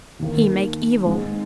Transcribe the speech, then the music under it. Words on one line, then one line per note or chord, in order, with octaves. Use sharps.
He make evil.
D#2 D#3 A#3
G#2 G#3 D#4